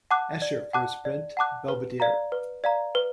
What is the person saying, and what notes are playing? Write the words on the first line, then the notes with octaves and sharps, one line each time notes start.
Escher for his print "Belvedere".
F#5 A5 D6 F#6
D5
F#5 A5 D6 F#6
D5
F#5 A5 D6 F#6
B4
D5 F5 A#5
B4
D5 F5 A#5
B4